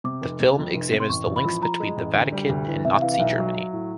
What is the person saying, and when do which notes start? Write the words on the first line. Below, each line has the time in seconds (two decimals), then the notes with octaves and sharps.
The film examines the links between the Vatican and Nazi Germany.
0.04 C3 D6
0.22 F1
0.40 C3
0.57 F2
0.74 F1
0.91 C3
1.00 C6
1.09 A1 C#6
1.26 A1
1.36 B5
1.45 F3
1.61 F3 A#5
1.80 G#3
1.97 A1
2.14 D2
2.32 G3
2.50 D2
2.67 E3
2.85 C3 E5
3.02 E3 F5
3.14 F5
3.19 B1 E5
3.38 F#3
3.54 F#3
3.73 A2